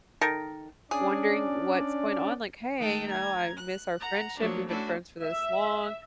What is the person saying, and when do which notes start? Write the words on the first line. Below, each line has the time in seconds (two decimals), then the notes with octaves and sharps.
wondering what's going on, like, "Hey," you know, "I miss our friendship, we've been friends for this long.
0.21 D#3 A4 A#4
0.91 C#4 D4 G#4 D5
2.78 D#3 A3 G5 A5 F#6
3.08 A#5 G#6
3.58 F#6
3.98 F#5 A#5
4.37 F3 F#3 A3 A#3 D4
4.68 A3 C#4 D4 E4 F#4 A4
5.22 E5